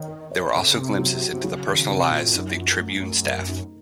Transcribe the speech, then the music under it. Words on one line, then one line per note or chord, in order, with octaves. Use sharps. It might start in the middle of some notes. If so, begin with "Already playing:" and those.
There were also glimpses into the personal lives of the "Tribune" staff.
Already playing: D#3 C#5
A#4
C#5
C3 A4
C#3
C3 C4
F#3
F#4
C3
C#3 F#3
D#3
C4
C3
A#2 F4
A2
F#2 D#4
F3
A3
A3
A#4
D#4